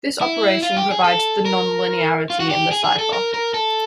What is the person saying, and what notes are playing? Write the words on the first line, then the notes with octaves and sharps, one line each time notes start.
This operation provides the non-linearity in the cipher.
E4
F4
G4
G#4
A4
A#4
F4
F#4
G4
G#4
G#4
A4
A#4
A#4
A4